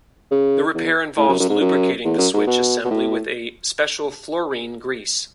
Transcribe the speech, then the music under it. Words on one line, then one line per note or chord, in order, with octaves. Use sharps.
The repair involves lubricating the switch assembly with a special fluorine grease.
C#3
E2
A2
F#2
F#2
G#2
F#2
E2
F#2
G#2
B2
B2
A2